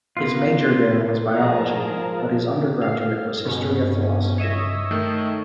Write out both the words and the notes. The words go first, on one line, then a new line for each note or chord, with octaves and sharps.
His major there was biology but his undergraduate was history of philosophy.
A#3 B3 F4
F3 G#4 A#4 A5 A#5
G2 F5
B2 C#4
C#5 D#5 E5
D#3 A3